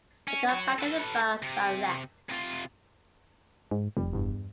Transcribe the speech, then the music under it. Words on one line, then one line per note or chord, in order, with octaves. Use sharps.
They got back in the bus and left.
C#4
F#4 C#5
A4 B4
C3
C3 F4
G#2
F1 G3
E2 G2